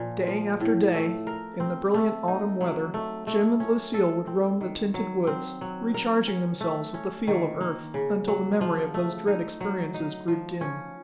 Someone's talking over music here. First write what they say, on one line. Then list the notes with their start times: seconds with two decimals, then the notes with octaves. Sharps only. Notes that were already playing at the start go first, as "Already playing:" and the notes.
Day after day, in the brilliant autumn weather, Jim and Lucille would roam the tinted woods, recharging themselves with the feel of Earth, until the memory of those dread experiences grew dim.
Already playing: A#2 F3
0.27 F3
0.60 A2
0.94 A3
1.27 A#4
1.60 C4
1.94 A3
2.28 D#4
2.61 F#3
2.94 A3
3.27 A3
3.60 C#4
3.94 A4
4.27 C4
4.61 D#3
4.94 F#3
5.27 C4
5.61 F#3
5.94 A#4
6.27 C#4
6.61 A3
6.94 C#4
7.27 D#3
7.61 A#3
7.94 C#3
8.28 F#3
8.61 F3
8.94 A3
9.27 D#4
9.61 F#3
9.94 D#4
10.28 F3
10.61 C#4